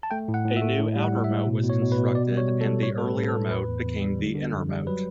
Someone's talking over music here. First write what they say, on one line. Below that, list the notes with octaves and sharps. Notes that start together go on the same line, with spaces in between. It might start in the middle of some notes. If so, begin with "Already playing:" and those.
A new outer moat was constructed, and the earlier moat became the inner moat.
A5
A3 G5
A2
F#5
A2
E5
A3
A2
G3
F#5
A2
E5
A2
B2
B2
C#5
B2
B4
B2
B2 D5
G3
C#5
B2
A4
G3
A2 C#5
A3 A4
B4
A2
A4
A2
E2 B4
E2
E2
G3
D3
D3
F#2
G3
F#3 B4